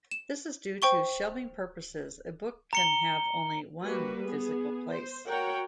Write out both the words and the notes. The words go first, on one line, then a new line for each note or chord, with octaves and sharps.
This is due to shelving purposes: A book can have only one physical place.
E7
C5 G5 C#6 G7
A#5 C#7 G7
G3 A#3 F#4 B4
B3 G#4
C5
F#4 A#4 C#5 F#5 G5